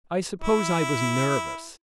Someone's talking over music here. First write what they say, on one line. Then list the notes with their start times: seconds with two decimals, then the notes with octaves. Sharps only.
I suppose I was nervous.
0.42 E4